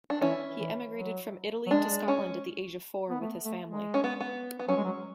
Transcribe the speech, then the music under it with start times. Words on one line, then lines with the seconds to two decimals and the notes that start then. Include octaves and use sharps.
He emigrated from Italy to Scotland at the age of four with his family.
0.10 D4
0.21 E3 C#4 E4
0.60 E3
0.96 F#3
1.66 F#3
1.70 G#3 D4
2.08 C#4
3.10 B3
3.20 A3
3.45 A3
3.70 G#3
3.94 C#4
4.04 B3
4.20 B3
4.59 B3
4.68 F#3 C#4
4.77 G#3
4.84 F#3